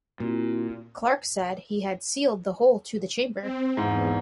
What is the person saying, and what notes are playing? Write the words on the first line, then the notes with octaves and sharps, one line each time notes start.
Clark said he had sealed the hole to the chamber.
A#2 C4 E4 F#4
C4
E2 G#2